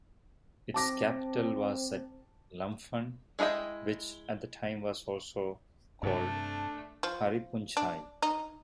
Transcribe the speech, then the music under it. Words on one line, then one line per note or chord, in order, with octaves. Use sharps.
Its capital was at Lamphun, which at the time was also called Hariphunchai.
C4 A5 D6 A#6
G#3 E4 G#4 D#5 G5
G2 C3 A3 D4
F3
D4
D#4